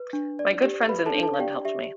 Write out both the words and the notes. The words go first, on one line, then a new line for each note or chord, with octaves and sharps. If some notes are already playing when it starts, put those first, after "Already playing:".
My good friends in England helped me.
Already playing: B4
D4
D5
G4
B4 B5
A4 A5
D4
A4 A5
F5
G4 D5 G5
G4 E5